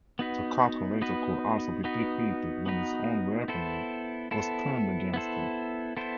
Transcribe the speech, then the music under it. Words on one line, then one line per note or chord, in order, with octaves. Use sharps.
The Calculator could also be defeated when his own weaponry was turned against him.
B3 D#4 F#4 B4
B3 D#4 F#4 B4
B3 D#4 F#4 B4
B3 D#4 F#4 B4
B3 E4 A4 C5
B3 E4 A4 C5
B3 E4 A4 C5
B3 E4 A4 C5